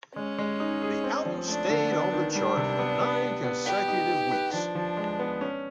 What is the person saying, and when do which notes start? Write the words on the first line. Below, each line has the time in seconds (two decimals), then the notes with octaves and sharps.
The album stayed on the chart for nine consecutive weeks.
0.16 G#3 C#4
0.38 G#3
0.60 D#4
0.82 G#4
1.04 C4
1.25 F3
1.47 A3 D4
1.70 D3
1.91 B3
2.13 D#3
2.34 G3 D4
2.57 C3
2.79 B3
3.01 B3
3.22 B3
3.44 B3
3.66 G4 B4
3.88 D#4
4.09 D#4
4.31 B4
4.53 F3 D4
4.75 F3
4.97 G#3
5.19 B3
5.41 C#4